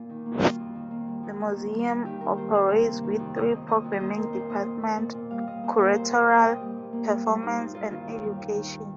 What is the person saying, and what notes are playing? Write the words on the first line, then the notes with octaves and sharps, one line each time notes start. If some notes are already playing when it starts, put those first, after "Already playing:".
The museum operates with three programming departments: curatorial, performance, and education.
Already playing: A#2 A#3 F4 A#4
D#3
A#3
G3 F4
F2
D#3
A#3
G3
F2
D#3
A#3
G3
G2
D#3 G4
A#3 A#4
G3 C5
G2 C5
C3
A#3
D#3
F2
C3 D#5
A#3
D#3 D#5
F2
D#5
A#3 C5
A#3 A#4
A#2 C5
A#2 D#5
A#3
A#3
A#2
A#2
G3 F5
A#2 D#5
A#3 C5
A#2 A#4
G3 C5
A#2 D#5
A#3 G5
A#2 D#5
G3
G2
A#3
G2
G3 C5
G2 D#4
A#3 F4
G2 F4
D#3 F4
D#2
G3
D#2
D#3